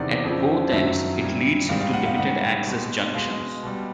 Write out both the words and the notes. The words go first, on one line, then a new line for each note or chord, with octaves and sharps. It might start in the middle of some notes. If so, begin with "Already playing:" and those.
At both ends it leads into limited-access junctions.
Already playing: E2 C3 D#3 D5
F2 C#3 F3
F#2 D#3 F#3 E5
A#2 G3
G#2 D#3 G3 F5
F5
F#5
F5
G#2 D#3 G3 F#5
B2 G#3
B2 G#3 F5
B2 G3